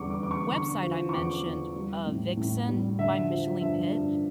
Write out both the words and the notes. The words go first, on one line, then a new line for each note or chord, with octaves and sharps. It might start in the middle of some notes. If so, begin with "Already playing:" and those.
website I mentioned, uh, Vixen by Micheline Pitt,
Already playing: E2 D3 G3 C#6 D6
D6
E2 D6
C#6
D3 C#6
F3
C#6
E2 D6
E2
G3
A2
A2
G3
D3 E5
F3
G2 E5
G2